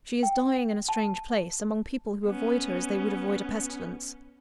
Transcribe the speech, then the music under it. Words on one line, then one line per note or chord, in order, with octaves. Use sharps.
She is dying in a strange place, among people who avoid her as they would avoid a pestilence.
G5
A5
B3 C#4